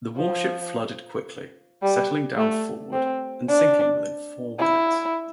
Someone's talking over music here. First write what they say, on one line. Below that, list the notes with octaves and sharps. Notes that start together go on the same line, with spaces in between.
The warship flooded quickly, settling down forward and sinking within four minutes.
F3
G3
A3
C4
D4
E4